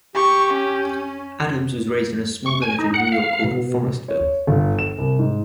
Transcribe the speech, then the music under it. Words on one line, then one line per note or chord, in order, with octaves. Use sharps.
Adams was raised in a small village in New York called, Forestville.
G4 C#6
C#4
C#6
G#5
D#4
F#5
F5
B2
C#5
G1
E7
C2
G#2